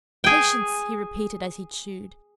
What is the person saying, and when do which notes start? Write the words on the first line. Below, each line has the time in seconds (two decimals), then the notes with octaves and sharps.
"Patience!" he repeated as he chewed.
0.24 G#4 G5